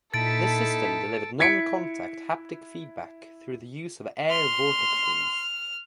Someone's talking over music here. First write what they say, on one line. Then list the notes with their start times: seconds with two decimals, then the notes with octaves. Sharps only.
This system delivered non-contact haptic feedback through the use of air vortex rings.
0.14 A#2 D#4 E4 A4 A5 A6 B6 D7
1.40 E4 G#6 B6 C#7 D7
4.31 C6 F6